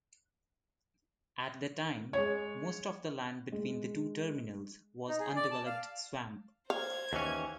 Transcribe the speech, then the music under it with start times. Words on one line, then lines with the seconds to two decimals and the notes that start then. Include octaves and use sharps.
At the time, most of the land between the two terminals was undeveloped swamp.
2.13 G#3 C#5
3.52 G#3
5.08 D#4
5.20 G#4
5.36 D5
5.51 A5
5.66 F5
6.70 C5 F5 G#6
7.13 D#2 E3 C#4